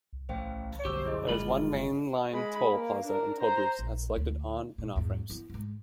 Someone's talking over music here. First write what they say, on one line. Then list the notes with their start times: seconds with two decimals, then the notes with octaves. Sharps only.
There is one mainline toll plaza and toll booths at selected on- and off-ramps.
0.13 C2
0.29 A1 C5 F5 G5
0.85 G1 F#2 B2 G4 C#6 D6 E6
1.05 E4 G#4 D#5
1.29 F#1 G#3 F4 B5
2.32 G#3 B5
2.72 A#3
3.06 D4 A#4
3.41 C5 A#5
3.79 A#1
4.16 D2
4.78 A#2
4.96 E2 G#2
5.30 B3 E4
5.50 G#2 G#3